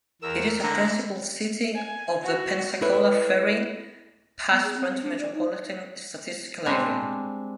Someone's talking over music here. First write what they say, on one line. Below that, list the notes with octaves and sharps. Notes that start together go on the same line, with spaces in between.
It is a principal city of the Pensacola-Ferry Pass-Brent Metropolitan Statistical Area.
E2 A#4 E6
D3 E4 A#5
G#5
F#4
E4 A4 B4 C#5 E5
B3
G#4
C4
C4
D4
D5
D#4
G3 G#3 C4 D4